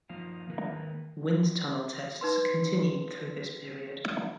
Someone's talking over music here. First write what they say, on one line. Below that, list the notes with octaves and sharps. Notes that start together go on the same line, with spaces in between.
Wind tunnel tests continued through this period.
F3 A#3 D#4 F5
D#3 A#3 A#4 B4
D#4 B4 C6